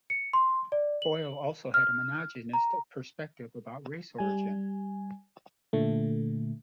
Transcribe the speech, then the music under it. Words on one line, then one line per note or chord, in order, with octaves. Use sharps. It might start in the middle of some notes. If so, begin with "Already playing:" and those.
Boyle also had a monogenist perspective about race origin.
C#7
C6
D5
F#7
F6
A#5
G3 G#5
A#2 D3 A3